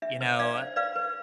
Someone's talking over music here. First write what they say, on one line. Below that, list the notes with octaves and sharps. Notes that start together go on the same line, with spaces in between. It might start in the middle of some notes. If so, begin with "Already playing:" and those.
you know,
D4 E5
C5
D4 D5 F5
C5
B4 D5 F5
B4